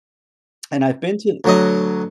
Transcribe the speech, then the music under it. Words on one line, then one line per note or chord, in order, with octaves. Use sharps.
And I've been to
D2 F#3 D#5